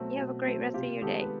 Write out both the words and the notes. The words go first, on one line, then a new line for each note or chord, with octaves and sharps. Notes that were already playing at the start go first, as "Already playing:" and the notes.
you have a great rest of your day.
Already playing: B2 F#3 A3 C4 F#4
B2
F#3 A3 C4
C3 F4 G4
D#3 G#3 B3 G4 A4
B4